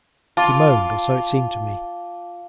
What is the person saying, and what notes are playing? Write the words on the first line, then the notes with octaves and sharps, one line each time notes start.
He moaned, or so it seemed to me.
F4 A5 D6